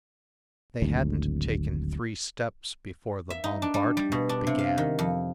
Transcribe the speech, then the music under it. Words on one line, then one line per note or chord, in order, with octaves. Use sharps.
They hadn't taken three steps before the bombardment began.
D1 G#1 D2
E5
D#4
D4
G3
G3
B2
D4
C3
F5
D#3
F2